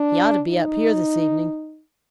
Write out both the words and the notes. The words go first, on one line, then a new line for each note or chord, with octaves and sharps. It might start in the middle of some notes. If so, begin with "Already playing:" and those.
He ought to be up here this evening.
Already playing: D4
D#4